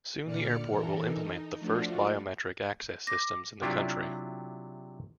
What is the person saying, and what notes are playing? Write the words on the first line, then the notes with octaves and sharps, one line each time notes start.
Soon, the airport will implement the first biometric access systems in the country.
A#2 D3 D5 F6 C#7
E3 A4 A#4
D#4
F3 A3 D4 F4 F#4
D6 A#6
C3 F#3 D4 E4 F4 G4